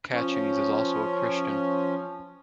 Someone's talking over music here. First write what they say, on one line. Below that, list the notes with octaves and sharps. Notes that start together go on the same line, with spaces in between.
Catchings is also a Christian.
F3 C#4